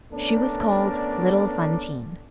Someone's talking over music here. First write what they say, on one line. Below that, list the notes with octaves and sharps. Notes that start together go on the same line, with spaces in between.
She was called little Fantine.
A3 B3 C#4 D4 A#4 D5